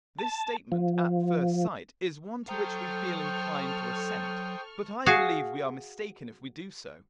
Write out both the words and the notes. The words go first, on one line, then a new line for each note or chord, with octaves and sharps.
This statement, at first sight, is one to which we feel inclined to assent, but I believe we are mistaken if we do so.
A5
F3
F#3 A4 C5 G5 A#5 C#6 D#6 F6
F#4 G#4 F5